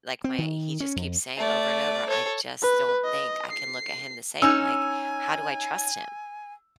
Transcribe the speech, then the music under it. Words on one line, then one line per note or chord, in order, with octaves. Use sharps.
like, my he just keeps saying over and over, "I just don't think I can look at him the same, like, how do I trust him?"
C4
D#3
C#4
F2
A3 D5
A4 C#5
B4
D#5
C7
C#4 D#4 G#5 E6